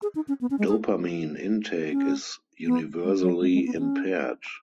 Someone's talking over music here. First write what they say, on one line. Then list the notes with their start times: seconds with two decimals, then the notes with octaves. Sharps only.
Dopamine intake is universally impaired.
0.02 G#4
0.15 D#4
0.28 C#4
0.41 B3
0.51 C#4
0.59 G#3
0.68 G#4
1.91 C#4
2.66 B3
3.04 G#3
3.22 F#3
3.41 G#3
3.54 G#3
3.66 B3
3.78 C#4